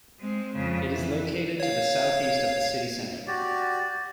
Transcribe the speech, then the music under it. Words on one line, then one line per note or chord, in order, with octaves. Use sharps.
It is located to the southeast of the city centre.
G#3 C4
F2 C#3
E3
C#5 F5
F#4 G4 D5